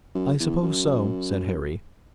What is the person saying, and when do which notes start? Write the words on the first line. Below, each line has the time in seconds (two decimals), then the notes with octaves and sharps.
"I suppose so," said Harry.
0.15 F#2
0.40 E2
0.63 F#2